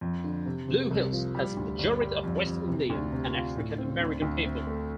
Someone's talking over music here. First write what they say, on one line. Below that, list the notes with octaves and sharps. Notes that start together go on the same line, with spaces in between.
Blue Hills has a majority of West Indian and African American people.
F2
D3
C3
C3
C2
F3
G3
D2
G1
G3
F2
F2
C3
D2
C3
F4
A2
C4
D2
D2
C4
A3